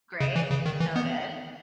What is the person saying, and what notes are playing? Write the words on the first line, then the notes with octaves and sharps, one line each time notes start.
Great. Noted.
C#3
E3
C#3
D#3
E3
B3